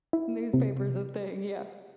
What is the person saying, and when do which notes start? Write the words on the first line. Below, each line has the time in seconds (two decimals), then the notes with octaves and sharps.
Newspaper's a thing. Yeah.
0.13 E4
0.53 C3